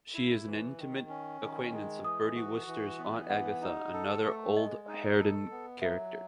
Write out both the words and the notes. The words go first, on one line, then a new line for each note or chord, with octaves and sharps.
She is an intimate acquaintance of Bertie Wooster's Aunt Agatha, another old harridan character.
E4
E3
D#3
C#4
D#3
G#3
E3 D#6
F#4
E3
B3
E3 F#5
D#4
A4
A3
G#3 D#5
D#4
A4
B3
F#3 E5